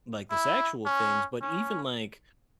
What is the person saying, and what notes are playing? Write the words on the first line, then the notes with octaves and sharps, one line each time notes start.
like, the sexual things, but even like
E4
C#4
C#4